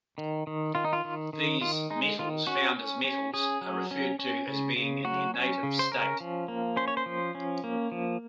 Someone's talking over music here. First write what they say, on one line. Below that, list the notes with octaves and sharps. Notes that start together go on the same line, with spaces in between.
These "metals found as metals" are referred to as being in their "native state".
D#3
D#3
D#3 F4
D#4
F4
D#3
D#3
D#3 F4
G#3 D#4
D#3 F4
C#4 F#4
C#4
C#4
C#4 G#4
F#3
C#4
C#4
C#3
C#3
F#3 F#4
C#4
C#3
C5
C#4 A#4
F3
A#3
C#4 C5
C#5
C5
F3
C#4
A#3
F3